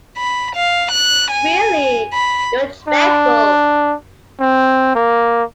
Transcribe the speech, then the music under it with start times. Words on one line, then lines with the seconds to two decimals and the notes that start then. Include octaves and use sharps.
Really, you’re dreadful.
0.17 B5
0.55 F5
0.91 F#6
1.31 G#5
2.13 B5
2.89 D4
4.40 C4
4.95 A#3